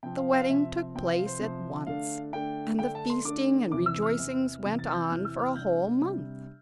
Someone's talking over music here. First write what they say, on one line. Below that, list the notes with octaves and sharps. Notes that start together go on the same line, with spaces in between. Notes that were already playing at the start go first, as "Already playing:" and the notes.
The wedding took place at once, and the feasting and rejoicings went on for a whole month.
C3 F3 C4 G5
F5
F5
C3 F3 C4 E5
C3 F3 C4 G5
F5
C5
C3 F3 C4
D3 A3 D4 F5
D3 A3 D4 G5
D3 A3 D4 G5
A5
C6
D3 A3 D4 D6
E2 C3 E3 D6
E6
F6
E2 C3 E3
E2 C3 E3
A6
G6
E2 C3 E3 F6
E6
F6
C3 G3 D4 G6
C3 G3 D4